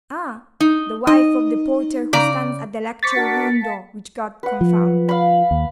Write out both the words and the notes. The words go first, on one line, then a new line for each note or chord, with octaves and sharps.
'Ah! the wife of the porter who stands at the lecture-room door, which God confound!
D#4
D#4 D#5
C#3 D5 A#5
C5 C#6 D6 A6 B6 C#7
D4 F#4 A#4
F5 A5
B4 F#5
F3
F5 B5
D#2